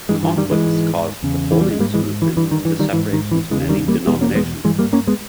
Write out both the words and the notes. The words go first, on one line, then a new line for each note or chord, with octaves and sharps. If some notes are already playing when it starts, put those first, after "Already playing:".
Conflicts caused the holiness movement to separate into many denominations.
G2 E3 G#3
E3
D#3 G3
E3 G#3
G#2
E2 C#3
E3
G3
G#3
G#2 G3 A#3
E3 G#3
E3
G2 E3
D#3
E3
D#3 G3
G#2 E3
D#3
E3
E2 C#3 E3 G#3
D#3 G3
G3 A#3
E2 B2 G#3 B3
A#3 C#4
G#3 B3
G2 E3 G#3
G3 A#3
A#3 C#4
G#3 B3